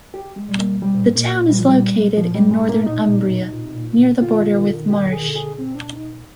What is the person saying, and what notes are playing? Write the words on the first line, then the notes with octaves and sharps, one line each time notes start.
The town is located in northern Umbria, near the border with Marche.
G4
G#3
G3
A#3
C3 G3
A#2
G#2
A#2 A#3
G3
F3
G3
A#2 F3
G3
G#2
G#3
G#2
A#3
A#2 D#4
C3
A#2
C3
A#2
C3
A#2
C3
A#2
D3 F4
D#3
D3
D#3
D3
D#3
D3 G4
D#3
D3
D#3 G#4
D3
G#4
C4
D4
D#4